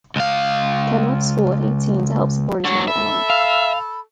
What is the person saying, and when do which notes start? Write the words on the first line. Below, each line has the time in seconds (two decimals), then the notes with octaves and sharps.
Ken left school at eighteen to help support his mother Emily.
0.16 C#2 F5
2.64 D3 F#3 C#6
2.88 A4 E5 B5
3.30 F5